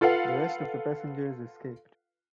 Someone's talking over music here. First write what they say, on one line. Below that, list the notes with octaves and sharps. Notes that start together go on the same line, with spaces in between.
The rest of the passengers escaped.
F4 A4 B4 F5 F#5